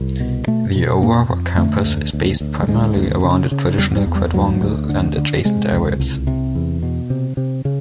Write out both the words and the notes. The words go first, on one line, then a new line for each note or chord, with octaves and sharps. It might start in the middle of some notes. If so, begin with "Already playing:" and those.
The Aurora campus is based primarily around a traditional quadrangle and adjacent areas.
Already playing: C2
B2
B2 A3
B2
F2 A#3
F2
D3 A3
D2
D2
D2
G3
D2 G#3
D2
C#3
C#3
E2 G3
G3
E2
G3
D2 F#3
D2
D3
D3
C3 G#3
C#2
C2
C3
E2
B2
C3
C3
C#3